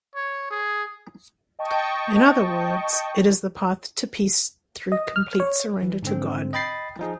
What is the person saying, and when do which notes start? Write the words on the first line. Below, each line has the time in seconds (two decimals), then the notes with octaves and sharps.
In other words, it is the path to peace through complete surrender to God.
0.15 C#5
0.50 G#4
1.59 D#5 G5 A5 C#6
4.92 D#5
5.16 F6
5.40 C#5
5.82 E3
6.03 G#2 D3 C4
6.53 D#5 G5 B5 A6 C7
6.99 F3 D#4 G#4